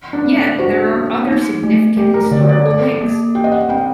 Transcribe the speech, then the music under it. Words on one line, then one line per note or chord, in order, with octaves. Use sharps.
Yet there are other significant historical links.
D4
C4
D4
F#4 C5
A#3
D#4
A3
A3 G4
A#4
D3 D5
D5
A4 D5
A#3
G4 G5
D#5
F#5
C4 G5